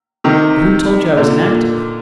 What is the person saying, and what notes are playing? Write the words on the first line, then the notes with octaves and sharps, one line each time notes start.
"But who told you I was inactive?"
C3 D#3
A#2 D3
A#2